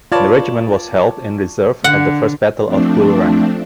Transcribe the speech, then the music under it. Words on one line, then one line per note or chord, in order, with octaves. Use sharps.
The regiment was held in reserve at the First Battle of Bull Run.
F4 B4 C#5 D5 A5
D3 F#5
F3 A3 C4 D4